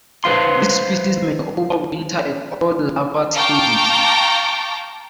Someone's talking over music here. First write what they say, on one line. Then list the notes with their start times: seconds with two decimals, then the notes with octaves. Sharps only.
This species may overwinter at all larval stages.
0.24 B4 C5 F5 C6
3.35 F5 G5 A5 A#5 C#6 D6